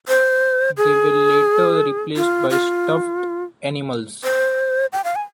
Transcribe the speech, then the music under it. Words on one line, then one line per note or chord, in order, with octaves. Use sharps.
They were later replaced by stuffed animals.
C5
G#4
F4
F4
C5
G5
F5
G#5